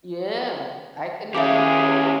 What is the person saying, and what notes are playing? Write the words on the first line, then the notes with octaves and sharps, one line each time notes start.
Yeah, I can imagine.
A2 D#3 C#4 G4 G#4 E5 F5 D6